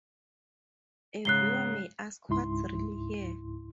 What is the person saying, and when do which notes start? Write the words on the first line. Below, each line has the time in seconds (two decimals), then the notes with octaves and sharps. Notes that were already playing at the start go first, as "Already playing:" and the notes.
A viewer may ask what's real here?
1.25 G#2 C#3 F#6 C7 G7
2.29 C#2 G#2 E4 C6